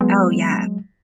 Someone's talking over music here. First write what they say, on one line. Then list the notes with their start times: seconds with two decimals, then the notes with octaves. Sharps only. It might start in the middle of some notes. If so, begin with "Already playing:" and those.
Oh, yeah.
0.01 F#3 G#3 B3